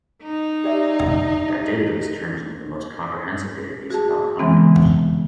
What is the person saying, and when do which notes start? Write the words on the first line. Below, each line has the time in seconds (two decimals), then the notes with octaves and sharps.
That database turned into the most comprehensive database about condors.
0.23 D#4
0.64 G4 D5 E5
3.90 F#4 G#4 A5
4.39 C#3 E3 G#3 B3 C4